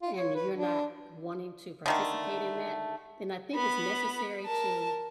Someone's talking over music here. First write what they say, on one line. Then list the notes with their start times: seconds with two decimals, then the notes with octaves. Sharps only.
and you're not wanting to participate in that, then I think it's necessary to,
0.03 F4
0.16 C#5
0.35 B4
0.55 D4
1.86 D3 D#3 A3
3.55 B3 B5
4.46 A#4 A5